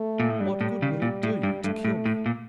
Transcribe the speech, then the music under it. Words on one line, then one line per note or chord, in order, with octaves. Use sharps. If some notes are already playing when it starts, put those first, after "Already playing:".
What good will it do you to kill me?
Already playing: A3
A#2
A2
G2 G3
A2
C#3
A#2
A2
G2
G2 A3
A2
A2
A#2